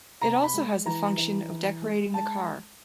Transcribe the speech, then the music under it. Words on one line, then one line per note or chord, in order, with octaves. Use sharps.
It also has the function of decorating the car.
C3 A#5
B5
G#3
E3 A#5
E3
E3
G#3
G#3 A5